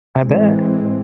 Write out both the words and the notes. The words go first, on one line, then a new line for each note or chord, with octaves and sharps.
I bet.
A2 E3 G#3 C4